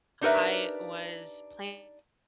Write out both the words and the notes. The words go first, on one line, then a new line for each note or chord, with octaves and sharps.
I was planning
D4 D#4 G4 A#4 B4 E5